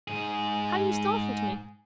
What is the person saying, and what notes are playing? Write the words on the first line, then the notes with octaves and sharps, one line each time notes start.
How you startled me!
G#2 G#4